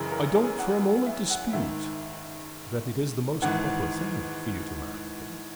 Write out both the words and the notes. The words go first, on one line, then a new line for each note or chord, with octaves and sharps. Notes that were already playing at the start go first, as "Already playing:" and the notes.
I don't for a moment dispute that it is the most proper thing for you to marry him.
Already playing: F#1 F#2 C#3 E3 G#4 A#4 G#5 A#5
A#4 A#5
G#4 G#5
F#5
E5
F#5
G#1 G#2 D#3 E5
G#1 G#2 E3 F#5